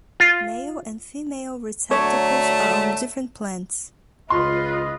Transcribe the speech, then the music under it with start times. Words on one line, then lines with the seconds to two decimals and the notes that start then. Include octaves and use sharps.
Male and female receptacles are on different plants.
0.20 F4
1.91 D3 F#3 A3 C#5
4.30 C#2 F4 B4 D#5 C6